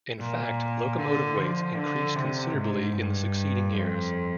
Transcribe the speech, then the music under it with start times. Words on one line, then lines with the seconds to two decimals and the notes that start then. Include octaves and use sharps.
In fact locomotive weights increased considerably in the succeeding years.
0.19 A#2
0.98 D3
1.37 F3
1.76 D3
2.15 C3
2.54 G#2
2.93 G2
3.71 F2